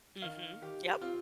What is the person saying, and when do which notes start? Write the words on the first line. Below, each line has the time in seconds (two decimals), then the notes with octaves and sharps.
Mhm, yep.
0.22 D#3 F5
0.61 D#3 G4
1.01 C4 F4